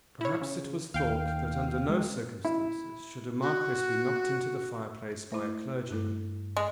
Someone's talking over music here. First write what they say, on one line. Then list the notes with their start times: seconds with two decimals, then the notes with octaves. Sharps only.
Perhaps it was thought that under no circumstances should a Marquis be knocked into the fireplace by a clergyman.
0.21 E4 C#5
0.41 C#3
0.94 D#2 F5 G5
1.89 G#3
2.45 E4
3.41 F#4
5.32 A3 E4 C5
5.91 G2 A3 E4 A4
6.57 G#3